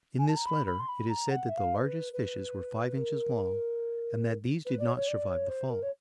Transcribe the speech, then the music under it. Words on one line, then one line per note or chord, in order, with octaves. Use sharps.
In this letter it is said that the largest fishes were five inches long, and that these did not survive the fall.
G#5
A5
A#5
B5
B5
C6
B5
A#5
F#5
E5
F5
C5
B4
B4
A#4
B4
D5
C#5
C#5
D5
C#5
C5
A#4
C#5